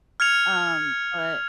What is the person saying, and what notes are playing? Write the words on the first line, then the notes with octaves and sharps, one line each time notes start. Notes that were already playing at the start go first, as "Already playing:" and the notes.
um, but
F6 G#6 C#7 F7